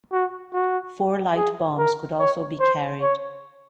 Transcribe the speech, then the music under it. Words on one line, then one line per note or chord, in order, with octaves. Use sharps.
Four light bombs could also be carried.
F#4
F#4
G#4
A#4
C#5
C5
C#5